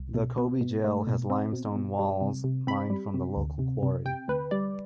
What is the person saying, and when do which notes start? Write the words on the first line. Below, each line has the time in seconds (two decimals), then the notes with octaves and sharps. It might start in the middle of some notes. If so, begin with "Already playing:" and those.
The Coby Jail has limestone walls mined from the local quarry.
Already playing: C2
0.14 B2
0.38 B3
0.61 B2
0.84 A3
1.07 B2
1.30 C4
1.53 B2
1.76 B2
1.99 G3
2.21 C3
2.44 C3
2.67 C4 B5
2.90 G3
3.14 C3
3.36 D2
3.59 C3
3.83 C3
4.06 C3 G5
4.28 D2 B4
4.51 G3 D5